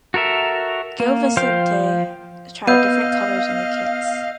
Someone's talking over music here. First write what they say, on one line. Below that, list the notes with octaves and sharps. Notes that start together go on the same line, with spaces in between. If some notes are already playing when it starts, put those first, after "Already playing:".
Gil Vicente tried different colours in their kits.
F#4 A4 A#4 E5
A#3
F3 C5 F5 G5 F6
B3 D#5 F5 E6 G6 D#7